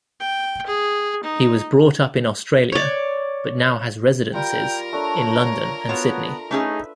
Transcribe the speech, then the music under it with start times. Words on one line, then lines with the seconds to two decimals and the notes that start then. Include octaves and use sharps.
He was brought up in Australia, but now has residences in London and Sydney.
0.20 G5
0.66 G#4
1.23 D#4
2.72 C#5 D5
4.34 G3 F4 A#4 G5 A#5
4.93 A3 D4 C#5
5.89 B3 F4 F#4 C#5 C6
6.51 A3 C#4 D#4 G#4 B4 E5